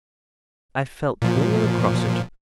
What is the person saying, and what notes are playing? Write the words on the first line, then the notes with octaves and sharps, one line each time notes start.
I felt all across it.
A#2 F3